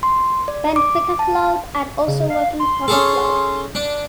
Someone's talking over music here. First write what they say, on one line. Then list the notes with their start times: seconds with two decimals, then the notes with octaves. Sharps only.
Benfica club and also working for the club.
0.03 C6
0.48 D5
0.76 D6
1.19 A5
2.08 C#3
2.30 F5
2.60 C6
2.88 C#4 G#4 A4
3.75 D4